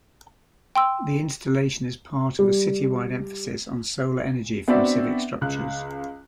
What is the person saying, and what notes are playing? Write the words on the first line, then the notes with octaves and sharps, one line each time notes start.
The installation is part of a citywide emphasis on solar energy from civic structures.
G5 C6 E6
G3
B3 C4 D4 F#4 D5 E5
C#2 F#6